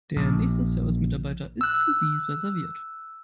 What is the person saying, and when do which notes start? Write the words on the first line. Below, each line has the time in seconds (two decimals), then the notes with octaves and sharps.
Der nächste Service-Mitarbeiter ist für Sie reserviert.
0.16 A#1
1.61 E6 F#6